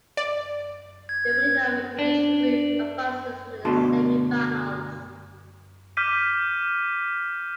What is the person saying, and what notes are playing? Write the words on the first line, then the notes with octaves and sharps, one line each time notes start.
The winner of each group advances to the semi-finals.
D5
G#6
D4
B2 D3 A3 F#4 A5 C6
D6 F6 G6 B6 D#7